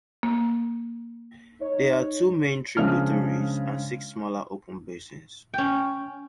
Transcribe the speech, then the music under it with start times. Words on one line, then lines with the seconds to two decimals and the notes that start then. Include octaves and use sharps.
There are two main tributaries and six smaller open basins.
0.23 A#3
1.61 D#4 C#5
2.77 C#3 F3 G#3 D4 F6
5.54 C#4 G5